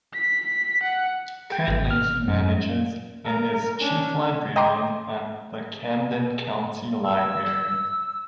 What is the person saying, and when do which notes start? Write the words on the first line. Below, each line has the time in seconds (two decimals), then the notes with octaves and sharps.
Currently he manages and is Chief Librarian at the Camden County Library.
0.14 B6
0.83 F#5
1.52 G5
1.68 G#1
1.91 F6
2.28 F#2
3.25 A#4
3.78 C#4 D4
4.56 D#5 G5 A#5 C6 D6
7.05 E6